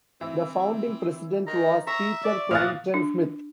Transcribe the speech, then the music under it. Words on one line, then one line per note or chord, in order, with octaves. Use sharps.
The founding president was Peter Plympton Smith.
E3 C4
D#3 A#5
E5 A#5 C#6
D5
A#2 E3 F5 F#5 D#6 A6
D4